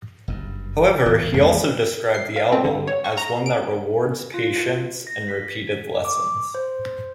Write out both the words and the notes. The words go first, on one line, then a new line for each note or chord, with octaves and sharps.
However, he also described the album as one that rewards patience and repeated listens.
F#1 G2
D1 E2 G#2
A1 E2 G#3 A#3
C7
F5
C4
D3
C#5
C#6
A#5
D7
F4
A#6
B6
D6
C5